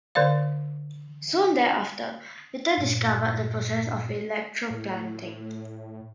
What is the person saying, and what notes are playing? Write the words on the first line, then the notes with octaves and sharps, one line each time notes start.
Soon thereafter Ritter discovered the process of electroplating.
D3 C5 D5 F5
G2 A#2
A2